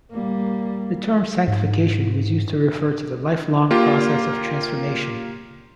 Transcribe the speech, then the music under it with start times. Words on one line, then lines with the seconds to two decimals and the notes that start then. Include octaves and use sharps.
The term "sanctification" was used to refer to the lifelong process of transformation.
0.11 G3 A#3
1.48 G#2
3.71 A#3 F4 G4